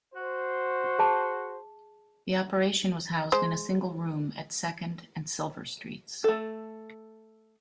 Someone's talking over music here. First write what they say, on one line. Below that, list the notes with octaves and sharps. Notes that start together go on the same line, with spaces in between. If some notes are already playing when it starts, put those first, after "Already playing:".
The operation was housed in a single room at Second and Silver streets.
F#4 C5
G#4 A5
G#3 C5
A3 A4